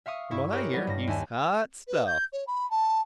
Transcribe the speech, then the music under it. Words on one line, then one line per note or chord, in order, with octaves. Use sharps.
"From what I hear, he's hot stuff!"
E5 F5 C#6 D#6
G2 E4 C#6 B6
G4 G#4 A#4 B4 C#5 D#5
G3 B3
G2 A#3 A#6
D#2 E5 G#5 A5
B4
G6
C#5
B5
A5